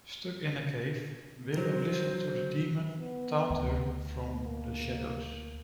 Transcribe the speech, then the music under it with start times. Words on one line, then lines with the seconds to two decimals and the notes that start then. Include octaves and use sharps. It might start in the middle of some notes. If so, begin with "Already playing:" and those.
Stuck in the cave, Willow listens to the demon taunt her from the shadows.
1.57 F#3 C5
2.99 B3
3.50 D2
4.45 A#3